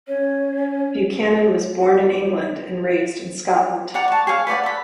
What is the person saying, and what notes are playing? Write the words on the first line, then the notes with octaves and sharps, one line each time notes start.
Buchanan was born in England and raised in Scotland.
C#4 C#5
D5 F#5 A#5
A5 C#6
G#4 C#5 F5
B4 C#5 D5 F#5
A4 B5